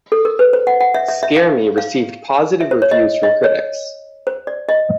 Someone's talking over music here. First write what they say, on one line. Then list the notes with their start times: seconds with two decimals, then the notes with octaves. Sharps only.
Scare Me received positive reviews from critics.
0.12 A4
0.25 A#4
0.39 B4
0.53 C5
0.67 F#5
0.81 F#5
0.94 E5
1.08 E5
1.23 E5
1.37 F5
1.78 F5
2.61 E5
2.71 C5
2.82 C#5
2.91 D#5
3.23 D#5
3.44 C#5
4.27 C5
4.47 D5
4.69 D#5